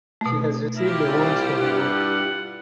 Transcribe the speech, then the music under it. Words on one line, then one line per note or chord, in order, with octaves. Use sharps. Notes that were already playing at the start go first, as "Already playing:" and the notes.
She has received awards for her work.
B2 A3
E4 F4 G4 A#4
C2 D5
G2 F#5